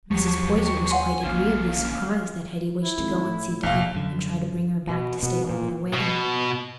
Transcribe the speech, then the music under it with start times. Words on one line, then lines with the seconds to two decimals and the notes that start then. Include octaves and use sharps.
Mrs. Poyser was quite agreeably surprised that Hetty wished to go and see Dinah and try to bring her back to stay over the wedding.
0.11 D#2 F3 F#3 G4 C#6
0.91 C#5 F#5 G#5 C6
1.23 A#1 D3 A#3 C#4 F5
2.83 E4
2.98 G#1 C4
3.24 A2
3.63 E1 A#1 C3 F5
3.95 F#2 D3
4.89 B2
5.23 B2
5.50 A#2
5.94 B2